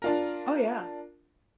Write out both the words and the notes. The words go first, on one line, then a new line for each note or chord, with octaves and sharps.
Oh, yeah.
D4 F4 A#4